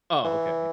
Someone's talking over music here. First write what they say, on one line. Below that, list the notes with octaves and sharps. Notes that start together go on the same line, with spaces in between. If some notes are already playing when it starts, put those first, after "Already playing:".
Oh, okay.
E3